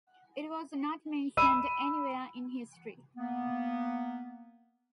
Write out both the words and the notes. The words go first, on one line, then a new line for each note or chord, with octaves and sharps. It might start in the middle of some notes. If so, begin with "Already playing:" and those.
It was not mentioned any where in history.
B5 E6 D#7
A#3 B3